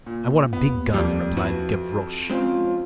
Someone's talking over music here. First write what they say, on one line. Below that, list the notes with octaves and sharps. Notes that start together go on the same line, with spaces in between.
"I want a big gun," replied Gavroche.
A#2
D#2 B3
F2 G3 A3 A#3
E4 F#4 B4
G#3 C4 C#4 F4